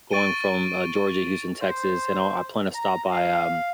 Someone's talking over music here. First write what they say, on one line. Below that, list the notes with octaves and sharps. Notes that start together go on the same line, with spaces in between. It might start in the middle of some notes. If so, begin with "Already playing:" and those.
going from, uh, Georgia to Houston, Texas, and I'll I plan to stop by, um,
C#6 A6 D7 D#7 G7
C5
A#5
F5